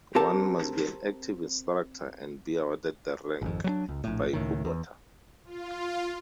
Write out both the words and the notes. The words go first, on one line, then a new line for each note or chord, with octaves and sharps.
One must be an active instructor and be awarded the rank by Kubota.
C4 G4 A4 A#4 A5
G#1 F2
F#3 G3 D4
C#2
A#1 A2
C#2 A2 D#3
E2
F4